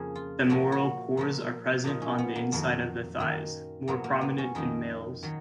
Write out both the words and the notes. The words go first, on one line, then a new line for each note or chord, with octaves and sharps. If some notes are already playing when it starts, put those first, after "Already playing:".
Femoral pores are present on the inside of the thighs, more prominent in males.
Already playing: F2 C#3 F3 A#3 G#4
F4
A#2 F3 A#3 F#4
F#4
A#2 F3 A#3
A#2 F3 A#3 D#4
C#4
B3
A#3
F2 D#3 F#3 A#3
F#2 D#3 A#3
A#2 F#3 A#3 B3
A#3
B3
C#4
F2 D#3 A#3 D#4
D#3 F#3